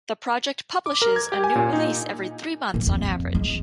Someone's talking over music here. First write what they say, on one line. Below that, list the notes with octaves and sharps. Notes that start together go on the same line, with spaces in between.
The project publishes a new release every three months on average.
D6
A#4
G#6
G4
G#5
A#2
D#4
A#2
F2
G#3